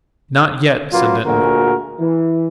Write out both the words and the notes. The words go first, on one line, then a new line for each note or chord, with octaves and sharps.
"Not yet," said Denton.
F#2 A#2 F#3 A#3 F4 B4
D2 A#2 A3 F#4 G#4 A#4
E3